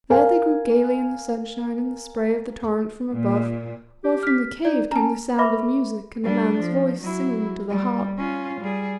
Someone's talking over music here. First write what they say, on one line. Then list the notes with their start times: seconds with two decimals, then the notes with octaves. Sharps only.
There they grew gaily in the sunshine, and the spray of the torrent from above; while from the cave came the sound of music, and a man's voice singing to the harp.
0.10 A#4 F5 G#5
3.12 A#2
4.04 G4
4.23 F6 B6
4.65 D#4 D5
4.91 C#4 A5 A#5
5.38 B4 E5 B5 C#6 D6
5.59 A4
6.23 G3 D4
6.61 F3
7.00 F#3 E4
7.70 G3
8.18 C#4 F4
8.61 G3 G#4